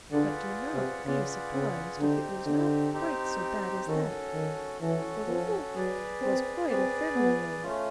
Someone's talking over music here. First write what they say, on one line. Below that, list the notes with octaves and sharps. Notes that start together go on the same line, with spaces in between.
But do not be surprised if it was not quite so bad as that, for the wolf was quite a friendly one.
D3 F4 G#4 B4 D5 F#5
C3
C#3 F4 G#4 B4 D5 F#5
C#3
D3 C4 D#4 G4
D3
C4 D#4 G4
D#3 C#4 F#4 A4
D#3
E3 C#4 F#4 A4
F3
F#3 G#4 B4 D5
C4
C4 G#4 B4 D5
B3
A3 C#4 F4